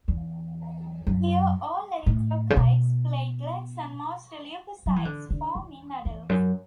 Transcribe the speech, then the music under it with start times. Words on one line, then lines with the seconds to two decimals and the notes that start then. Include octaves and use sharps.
Here all erythrocytes, platelets, and most leukocytes form in adults.
0.08 E2
1.07 F#2
2.06 A2
2.50 C#3
2.57 B2
4.86 F#3
4.96 E3
5.05 D3
5.30 D3
5.55 E2
6.05 E2
6.29 F#2